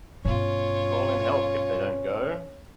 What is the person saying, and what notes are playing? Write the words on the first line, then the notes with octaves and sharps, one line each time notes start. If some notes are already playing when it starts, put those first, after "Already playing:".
Call in help if they don't go.
G2 B2 C#4 F4 C#5